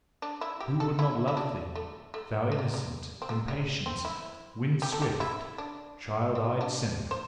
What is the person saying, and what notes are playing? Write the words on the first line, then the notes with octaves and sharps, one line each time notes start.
Who would not love thee, thou innocent, impatient, wind-swift, child-eyed sinner!
D4
E4
G4
A4
E4
E4
D4
A3
A3
A3
G3
G3
C4
A3
G3
C4
E4
G4
A4
G4
E4
D4
C4
D4
C5